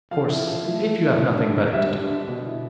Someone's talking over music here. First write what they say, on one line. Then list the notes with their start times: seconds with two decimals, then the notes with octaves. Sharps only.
Of course, if you have nothing better to do.'
0.11 F3 F5
0.29 E4
0.47 F3
0.66 A3
0.83 F3
1.01 E4
1.20 D3
1.38 D4
1.55 D3
1.73 G3 E5
1.92 D3
2.09 D4
2.28 B2
2.45 E4